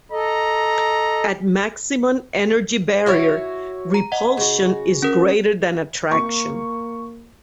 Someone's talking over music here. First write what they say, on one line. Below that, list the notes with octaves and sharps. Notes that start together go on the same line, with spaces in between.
At maximum energy barrier, repulsion is greater than attraction.
A4 D#5 A#5
E4 F#4 C#5
A#5
D#5 F#5
C#3 F#4
C#4 A#4
A#3 C#6